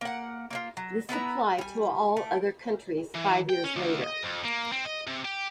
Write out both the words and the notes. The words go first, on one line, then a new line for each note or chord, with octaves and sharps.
This applied to all other countries five years later.
A#3 F#5
A#3 C#4 F4
F#3
B3 E4 B4 A#5
G3 G#5
A3
E3
G5
C#4
D2
D#5
F2
A#3
C4
D#5
C3
G4